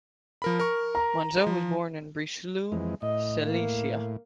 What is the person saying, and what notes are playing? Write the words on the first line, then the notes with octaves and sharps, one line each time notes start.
Menzel was born in Breslau, Silesia.
F3 A#4 B5
A#4 C#6
A#5
F3
F2 E3 G#3
A2 D#5
A#3